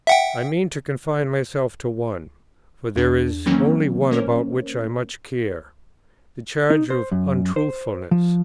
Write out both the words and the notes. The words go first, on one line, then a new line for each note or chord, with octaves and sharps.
I mean to confine myself to one, for there is only one about which I much care,--the charge of Untruthfulness.
E5 F#5 G5
E2 D4
D#3 E3 F#3 A#3 C4 C#4
A#3 C#4 A#4 C5 C#5
D#4
C5
F#2
C5
F3